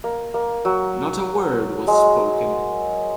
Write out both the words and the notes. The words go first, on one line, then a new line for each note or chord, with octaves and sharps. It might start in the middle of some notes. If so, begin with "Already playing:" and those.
Not a word was spoken.
A#3
A#3
F#3
G#3